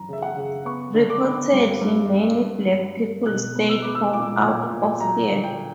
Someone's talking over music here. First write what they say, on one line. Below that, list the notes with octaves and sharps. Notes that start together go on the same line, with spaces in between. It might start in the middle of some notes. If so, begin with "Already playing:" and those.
Reportedly many black people stayed home out of fear.
Already playing: F#2 E3 A#5
C#3 E5
F#5
C#3
B3 C#6
D3
D6
B3
G2
G2
B3
G2
G2
G2
B2 F#6
B3
E6
B3 D6
E6
A#2 D6
A#2
A#2
F#3 A#5
D3
G5